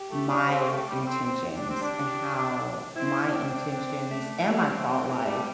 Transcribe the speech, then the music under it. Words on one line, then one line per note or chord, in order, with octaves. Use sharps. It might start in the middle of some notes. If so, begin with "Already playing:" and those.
my intentions, and how my intentions and my thought life
Already playing: G4
A3
D4
C4
A3
G3
C4
C4
G4
D4
C4
D4
C4 E4
D4
C4
D4
C4
A3
G3 D4
A3
C4
A3
E3
G3 C4
G3
E3
E3
G3 A3